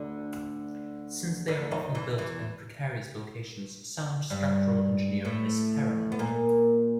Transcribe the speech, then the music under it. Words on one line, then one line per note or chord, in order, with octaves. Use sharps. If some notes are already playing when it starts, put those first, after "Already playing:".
Since they are often built in precarious locations, sound structural engineering is paramount.
Already playing: D2 D3
D2 D3
D#2 D#3
E2 E3
E2 E3
G2 G3
A2 A3
B3
A#2 A#3